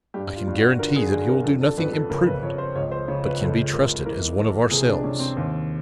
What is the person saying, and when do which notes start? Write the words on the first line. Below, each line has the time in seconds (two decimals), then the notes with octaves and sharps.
I can guarantee that he will do nothing imprudent, but can be trusted as one of ourselves.
0.14 G2 G4
0.36 F4
0.47 G2
0.58 F#4
0.79 D3 A#4
0.96 G#4
1.12 D3 G#4
1.28 A#4
1.44 F2 A4
1.61 A4
1.78 F2 B4
1.93 A4
2.09 C#3 A#4
2.26 B4
2.43 F2 C#5
2.58 C5
2.76 C#2 C#5
2.91 C5
3.08 C#3 C#5
3.24 B4
3.40 C#2 A4
3.73 C#2 A#4
4.05 E3 A#4
4.38 E3 A4
4.71 C3 G#4
4.88 D4
5.03 C3 C#4
5.19 C4
5.37 D#2